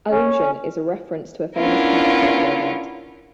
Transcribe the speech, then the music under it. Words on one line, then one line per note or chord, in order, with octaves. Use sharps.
Allusion is a reference to a famous character or event.
C#4
B3 C#4 D4 E4 F4 A#4